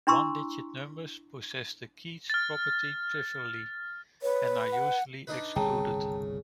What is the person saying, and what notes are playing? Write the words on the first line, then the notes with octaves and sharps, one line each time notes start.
One-digit numbers possess the Keith property trivially, and are usually excluded.
D4 E4 A#5 C6 C#6 E6
F6 A6
B4 C#5
F#5
D4 D#4 B4
G1 C2 A2 C#3 G5 A5 A#5